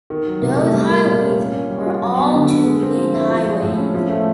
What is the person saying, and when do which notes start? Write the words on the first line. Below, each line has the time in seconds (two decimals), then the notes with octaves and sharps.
Those highways are all two lane highways.
0.10 D#3
0.27 F#3
0.42 C3
0.58 A3
0.74 G3
0.90 A#3
1.06 A#2
1.22 C#4
1.39 A#3
1.54 C#4
1.70 G3
1.86 F4
2.02 F#3
2.18 B3
2.34 D3
2.51 D3
2.66 G#3
2.83 C4
2.98 F3
3.14 E4
3.30 F3
3.46 G#3
3.62 A2
3.78 C#4
3.95 F3
4.10 A3